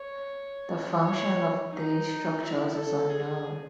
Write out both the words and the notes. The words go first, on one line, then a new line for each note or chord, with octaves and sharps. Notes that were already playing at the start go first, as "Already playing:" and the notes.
The function of these structures is unknown.
Already playing: C#5
C#5
D#4
E4
A4
G#4